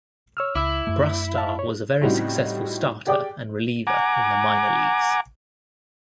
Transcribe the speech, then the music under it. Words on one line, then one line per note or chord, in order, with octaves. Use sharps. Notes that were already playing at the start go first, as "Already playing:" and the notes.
Brusstar was a very successful starter and reliever in the minor leagues.
C#5 E6 F6
C#2 E4 D6 E6
F#2 A3
E5 F5 A5
C#5
A2 C#3 G3 C4 D#4 F#4
G4 G#4 D5 G5 D6
F#5 G#5 A#5 D6